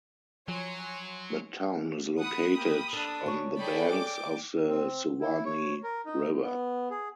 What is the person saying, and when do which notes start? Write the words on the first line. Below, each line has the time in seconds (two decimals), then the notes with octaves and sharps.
The town is located on the banks of the Suwannee River.
0.48 F3 F#3 C#5 G#5 C6
2.20 F#5 B5 D#6
2.56 A#3 G4
2.93 D4 A4
3.26 C#4 C#5
3.58 G#4 A4 D5 G5 B5
3.90 D6
4.68 C4
5.21 E4
5.45 C#5
5.83 A#4
6.06 D#4
6.44 B3
6.90 G#4